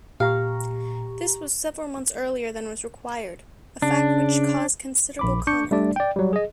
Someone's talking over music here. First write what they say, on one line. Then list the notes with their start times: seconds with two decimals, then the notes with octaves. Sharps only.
This was several months earlier than was required, a fact which caused considerable comment.
0.20 A#2 G4 F5 A#5 C#6
3.82 C#3 D4
5.19 A#1 B5 D6
5.47 D4 C#6 D6 G6 C#7
5.71 G3 A3 D4 D5
5.96 D5 G5
6.16 F#3 G3
6.33 G#4 D#5